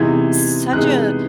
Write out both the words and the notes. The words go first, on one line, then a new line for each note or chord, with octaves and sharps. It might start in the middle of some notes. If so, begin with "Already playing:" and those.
such a
Already playing: C3 E3 G#3 B3 D#4 G#6
C3 E3 G#3 B3 D#4 F#6